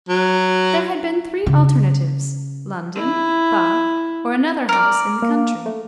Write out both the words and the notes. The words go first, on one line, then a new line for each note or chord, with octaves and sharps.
There had been three alternatives, London, Bath, or another house in the country.
F#3
C#3
E4
A#4 D5
A#3
A3